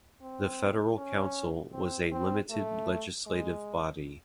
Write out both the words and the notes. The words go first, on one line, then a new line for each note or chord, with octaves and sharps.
The Federal Council was a limited legislative body.
C4
C#4
C4
C4
A3
G#3